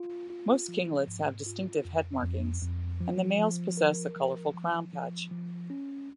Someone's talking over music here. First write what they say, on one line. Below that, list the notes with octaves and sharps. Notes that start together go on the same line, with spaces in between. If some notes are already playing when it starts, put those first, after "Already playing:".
Most kinglets have distinctive head markings, and the males possess a colourful crown patch.
Already playing: F4
F4
F3
G#2
F4
F2
F2
F2
F3
F3
A#4
F3
F3
F3
F3
C#4